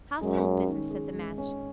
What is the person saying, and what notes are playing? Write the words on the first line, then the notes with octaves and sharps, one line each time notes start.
Household business, said the Master.
F#2 G#3
C#4
D#3
G#4
G#3
C#4